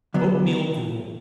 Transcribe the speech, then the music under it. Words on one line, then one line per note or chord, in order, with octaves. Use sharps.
Oat-meal Gruel.
D3 F#3 B3